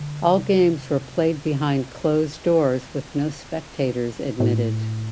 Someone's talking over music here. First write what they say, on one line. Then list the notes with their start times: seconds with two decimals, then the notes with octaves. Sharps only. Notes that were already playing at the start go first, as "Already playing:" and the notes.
All games were played behind closed doors with no spectators admitted.
Already playing: D3
0.34 C3
1.14 B2
2.77 A2
4.40 A2